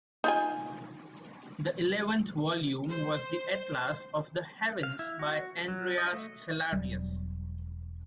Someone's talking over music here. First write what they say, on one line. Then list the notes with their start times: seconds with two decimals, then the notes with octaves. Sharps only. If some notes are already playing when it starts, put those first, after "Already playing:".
The eleventh volume was the Atlas of the Heavens by Andreas Cellarius.
0.24 D#4 F4 G#5
2.88 C5
4.83 F5
4.99 E4
5.19 F#4
5.68 F#3
5.98 D#5
6.13 A3
6.73 E1 E2 F#3 G3